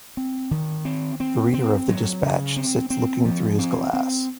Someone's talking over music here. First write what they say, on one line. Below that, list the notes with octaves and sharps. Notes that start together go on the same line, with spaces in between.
The reader of the dispatch sits looking through his glass.
C4
D#3
C4
C4
C4
F#3
C#3
C4
C4
F3
C4
C4